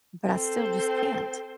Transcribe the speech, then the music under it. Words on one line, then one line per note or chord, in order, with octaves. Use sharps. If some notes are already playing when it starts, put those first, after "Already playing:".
but I still just can't.
C4 A4 C5